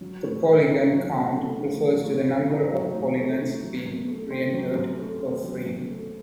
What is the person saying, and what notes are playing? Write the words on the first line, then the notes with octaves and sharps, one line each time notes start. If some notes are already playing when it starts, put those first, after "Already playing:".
The "polygon count" refers to the number of polygons being rendered per frame.
F#3
A2
A3
D#4
F#3
A2
A3
D#4
F#3
A2
A3
D#4
F#3
A2
A3
D#4
F#3
F#2
A3
C4
F#3
F#2
A3
C4
F#3
F#2
A3